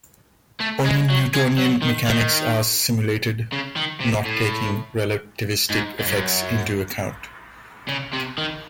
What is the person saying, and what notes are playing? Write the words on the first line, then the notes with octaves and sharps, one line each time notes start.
Only Newtonian mechanics are simulated, not taking relativistic effects into account.
A3
G#3
F#3
G#3
F#3
D#3
D#3
C#3
D#3
C3
A2
G#2
G#2
F#2
C#3
C3
D#3